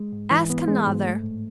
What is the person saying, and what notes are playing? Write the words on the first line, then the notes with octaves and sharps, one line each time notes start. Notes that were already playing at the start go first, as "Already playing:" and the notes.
Ask another.'
Already playing: G#3
G#2
E3
B3
G#3
G#2
A3
A2